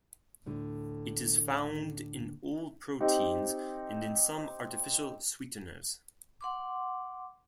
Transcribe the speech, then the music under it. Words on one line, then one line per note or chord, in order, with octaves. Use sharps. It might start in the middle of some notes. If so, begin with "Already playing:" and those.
It is found in all proteins and in some artificial sweeteners.
D2 A2 D3
C4 D#4 G4
F#5 C6 D6